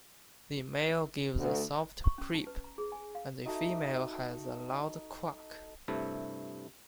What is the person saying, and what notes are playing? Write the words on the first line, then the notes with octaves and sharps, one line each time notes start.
The male gives a soft "preep", and the female has a loud quack.
D2
C#6
C#4
A5
B4
A#5
G#4
G#5
F5
D#4 F#4 A4 E5
G2 C3 A3 E4